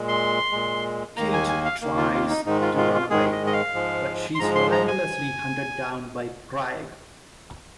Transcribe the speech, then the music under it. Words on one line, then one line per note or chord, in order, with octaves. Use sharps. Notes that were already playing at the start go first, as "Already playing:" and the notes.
Kate tries to run away, but she's relentlessly hunted down by Craig.
Already playing: A#2 G#3
C6
A#2 G#3
D#2 D#3 A#3 A#5
G#5
G#5
F5
D#2 D#3 A#3
F4
F4
D#4
G#2 D#3 G#3 D#4
F4
F4
F4
G#2 D#3 G#3 G#4
D#5
D#5
F5
G#2 F3 G#3
C6
G#2 F3 G#3 A#5
C6
A#5
G#5